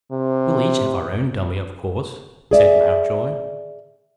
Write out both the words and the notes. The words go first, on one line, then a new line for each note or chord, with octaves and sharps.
"We'll each have our own dummy, of course," said Mountjoy.
C3
G#4 D5 E5